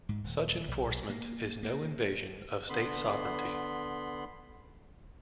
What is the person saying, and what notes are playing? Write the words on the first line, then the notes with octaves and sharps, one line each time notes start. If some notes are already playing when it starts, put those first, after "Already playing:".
Such enforcement is no invasion of State sovereignty.
G#2
D#1
B1
A#3
A#3
D3 B3 B5 C6